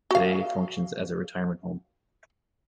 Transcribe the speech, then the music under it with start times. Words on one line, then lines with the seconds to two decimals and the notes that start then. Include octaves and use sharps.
Today, it functions as a retirement home.
0.11 F#4 F5